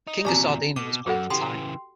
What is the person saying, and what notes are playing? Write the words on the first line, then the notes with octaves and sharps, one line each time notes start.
The King of Sardinia was playing for time.
D#4
E2 A#2 C4 F#4 G4 D5 G#5 A#5
B2 D6
F#2 F#4 A4 F#5
C#3 E3 G4 G5 C6